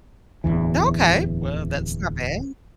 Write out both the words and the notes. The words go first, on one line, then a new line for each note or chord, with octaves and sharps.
Okay, well, that's not bad
D1 B1 E2 E3